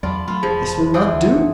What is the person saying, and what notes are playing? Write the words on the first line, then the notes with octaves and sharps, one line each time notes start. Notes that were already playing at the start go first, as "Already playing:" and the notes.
'This will not do.
E2 F#3 F4 D5 A5 B5
F#3 A3 F4
F1 F3 G#4
E3 G#4 G5
D2 F#5
F#1